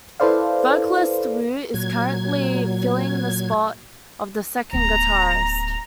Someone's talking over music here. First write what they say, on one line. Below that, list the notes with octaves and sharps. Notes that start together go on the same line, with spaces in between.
Vocalist Wu is currently filling the spot of the second guitarist.
E4 A4 B4 C5 D5 F5
A#2 F#3 G#6
D1 B3 A#5